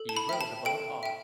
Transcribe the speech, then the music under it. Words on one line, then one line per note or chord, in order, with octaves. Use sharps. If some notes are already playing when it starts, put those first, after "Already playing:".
He wrote about art.
Already playing: A4
A5
B5
E5 G5
A5
A4 G5
E5 G5